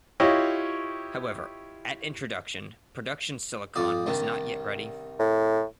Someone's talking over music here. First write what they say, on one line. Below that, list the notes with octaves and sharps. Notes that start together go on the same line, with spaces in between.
However, at introduction, production silicon was not yet ready.
E4 F4 G4 C#5 D#5
F2 D5 D#6
C2 D#3 D4
A2